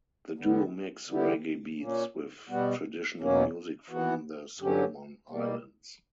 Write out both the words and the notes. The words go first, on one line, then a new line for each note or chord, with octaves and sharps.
The duo mix reggae beats with traditional music from the Solomon Islands.
E2 D3 G3 B3
D3 G3 B3 E4 G4
A#2 A#3 C#4
B2 G3 B3 F#4
E2 B2 F#3 A#3 C#4
E3 B3 F#4
G2 D3 F#3 C#4 G4
B2 G3 A#3